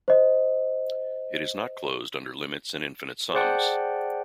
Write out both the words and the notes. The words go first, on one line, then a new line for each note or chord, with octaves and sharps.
It is not closed under limits and infinite sums.
C5 D#5
G#4 C5 D5 F#5 G5 A5